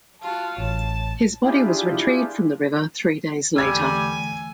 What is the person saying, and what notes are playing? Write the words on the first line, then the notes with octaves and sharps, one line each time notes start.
His body was retrieved from the river three days later.
F4 F#4 A5
A1 C#5 A5
D4 E4 F4 G4 G#4
E2 D3 G3 A3 G#5 E6 G#6